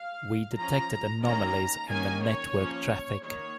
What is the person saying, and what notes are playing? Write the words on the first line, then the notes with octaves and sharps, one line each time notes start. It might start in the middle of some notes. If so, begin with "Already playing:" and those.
We detected anomalies in the network traffic.
Already playing: F5
F3 C#4 A#5
D#3 A#3 C#4 A#5
D#3 A#3 C#4 G#5
C#5
F3 A#3 C#4
D#3 A#3 C#5